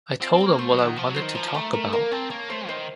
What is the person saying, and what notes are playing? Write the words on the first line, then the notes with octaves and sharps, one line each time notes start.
I told them what I wanted to talk about.
C4 F4
C4
A#5
A#3
A3 C5
F#3
F#5
D#3
F3 C#6
F#3
C5
D#3
F3 A#5
A3 A#5
A3 A#4
A#3 A#4
C4 A5
A#3 C#5
A3 C5
D#3 C5